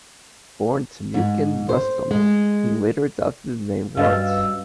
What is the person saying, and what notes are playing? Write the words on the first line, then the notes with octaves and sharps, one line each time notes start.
Born Timucin Rustem, he later adopted the name Lawrence.
G#2
C5
G#3
G2 G3 C#4 F#4 B4 D#5 F5 E6